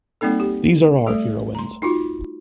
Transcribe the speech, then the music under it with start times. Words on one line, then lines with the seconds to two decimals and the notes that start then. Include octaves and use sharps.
These are our heroines.
0.21 G3 A#3 C4 D#4 A4
0.40 G4
1.07 G3 A3 A4
1.55 A#5 C6
1.82 D#4 F4 F#4